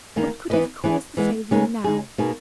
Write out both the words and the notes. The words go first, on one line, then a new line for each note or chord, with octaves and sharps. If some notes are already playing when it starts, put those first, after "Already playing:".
What could have caused the failure now?
E2 D#3 A#3 D#4
E3 B3 E4 B4 D#5
E3 B3 E4 G#4
E3 G#3 B3
C#3 G#3 B3 D#4 G#4
G#3 D#4 G#4
B2 A#3 D#4 G#4